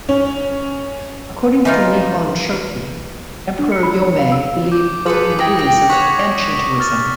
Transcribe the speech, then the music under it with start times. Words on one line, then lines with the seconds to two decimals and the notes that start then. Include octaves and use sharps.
According to Nihon Shoki, Emperor Yomei believed both in Buddhism and Shintoism.
0.09 C#4
1.65 E3 D#4 F4
3.59 D4
3.72 C#7
3.83 B5
4.01 C#5
4.19 F5
4.32 E6
4.72 D6 G6
5.06 G#4 A4 B4 D6 C#7 F#7
5.39 E4 G5 D#6 A#6 F#7
5.59 G5
5.90 C#5 F#5 C#6 D6 F#6 B6
6.80 F6 A6